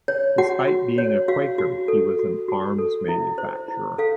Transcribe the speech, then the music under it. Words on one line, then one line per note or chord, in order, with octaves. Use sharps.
Despite being a Quaker he was an arms manufacturer.
C#5
F#4 F#5
F#4
C#5
F#4 F5
F#4
A4
F#4
F#4
A4
E4 E5
C5
E4
A4 F5